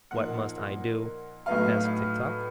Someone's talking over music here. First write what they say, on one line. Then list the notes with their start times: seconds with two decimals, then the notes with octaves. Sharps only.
"What must I do?" asked Tik-Tok.
0.11 A#2 F3 A#3 D#4 F#5
1.46 A2 F#3 B3 D#4 F5